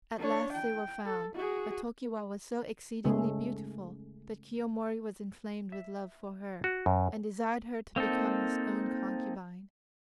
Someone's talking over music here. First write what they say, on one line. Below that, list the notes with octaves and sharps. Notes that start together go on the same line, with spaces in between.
At last they were found; but Tokiwa was so exceedingly beautiful that Kiyomori was inflamed with love for her, and desired her to become his own concubine.
D4 C#5
G5
A4
F#4 G#4
C#3 G#3 A3 G#4
E5
F#4
F#2
A#3 C4 D#4 A4